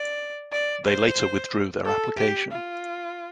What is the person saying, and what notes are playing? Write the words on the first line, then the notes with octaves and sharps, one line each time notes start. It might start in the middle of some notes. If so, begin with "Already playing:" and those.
They later withdrew their application.
Already playing: D5
D5
C5
A4
G4
F4